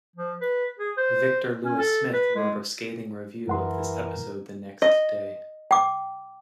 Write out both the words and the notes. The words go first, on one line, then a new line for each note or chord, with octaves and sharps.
Victor Lewis Smith wrote a scathing review of this episode the next day.
F3
B4
G#4
C5
C#4
A4
B4
G#3
F#2 E3 A#4 F#5 C6
D#5
G5 D6